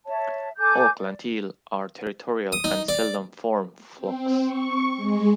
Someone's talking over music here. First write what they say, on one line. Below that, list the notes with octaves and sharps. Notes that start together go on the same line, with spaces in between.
Auckland teal are territorial and seldom form flocks.
C#5 E5 A5
A4 G#5 D6 G6
D5
D#6
D#4
D5
C4
C#6
G#3